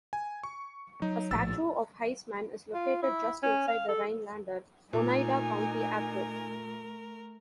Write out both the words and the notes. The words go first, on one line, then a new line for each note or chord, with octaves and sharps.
A statue of Heisman is located just inside the Rhinelander-Oneida County airport.
G#5
C#6
F#3 D#4
A#1 A2 F3 E6 A6
F4
E4
C#4
F5
A4
A#2 A3 D#4 A#4 G#5